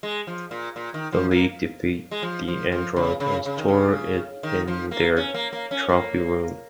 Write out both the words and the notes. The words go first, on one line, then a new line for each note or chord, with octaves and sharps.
The League defeat the android, and store it in their trophy room.
G#3
F3
A#2
A#2
D#3
F3
A#3
G#3
F3
F3
F3
C#3
C#3
C#3
D#3
C#3
D#3
F3
A#3
C#4
A#3
A#3
C#4
A#3